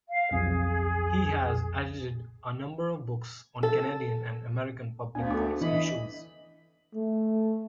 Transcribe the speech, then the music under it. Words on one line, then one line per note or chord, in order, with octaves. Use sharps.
He has edited a number of books on Canadian and American public policy issues.
F5
B1 F2 G#4
A4
D2 A3 B3 D4 F5 G#5
D4 A4 D6
E3 D4 D#5 B5
A3